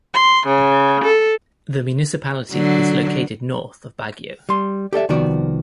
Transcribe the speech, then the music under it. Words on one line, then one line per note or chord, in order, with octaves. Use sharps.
The municipality is located north of Baguio.
C6
C#3
A4
D3 F#3
G3 C6
G4 A4 D5 E5
C2 D#3 F3 B3 F#4 D5